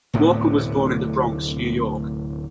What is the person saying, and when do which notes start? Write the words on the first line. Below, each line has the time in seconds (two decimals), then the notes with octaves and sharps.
Walker was born in The Bronx, New York.
0.13 D1 A2 C3 B3